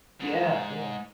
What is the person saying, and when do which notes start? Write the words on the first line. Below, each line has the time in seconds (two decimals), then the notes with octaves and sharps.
Yeah, yeah.
0.21 G#2